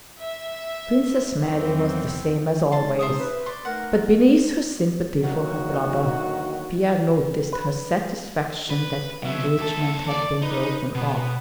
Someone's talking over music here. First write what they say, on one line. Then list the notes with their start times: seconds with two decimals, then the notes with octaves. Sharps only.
Princess Mary was the same as always, but beneath her sympathy for her brother, Pierre noticed her satisfaction that the engagement had been broken off.
0.20 E5
1.40 E2 E3 F#3 C4
2.72 G#3 C#4 D#4 A5 C6
2.99 C5 E5 D#6
3.19 B4
3.46 D5 C6
3.65 A3 D#4 A#4 F#5
5.21 D2 D#3 F#3 A#3 F#4
7.52 B4
8.70 B4
9.25 F#3 B3 E5
9.58 D#2 A4
10.07 D5
10.42 D#4 B4
10.94 B2 B3